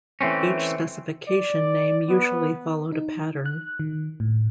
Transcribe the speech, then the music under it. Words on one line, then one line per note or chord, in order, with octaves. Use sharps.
Each specification name usually followed a pattern.
E3 A3 C4 C#4
D5
B3
D#4
F#6
D#3
A2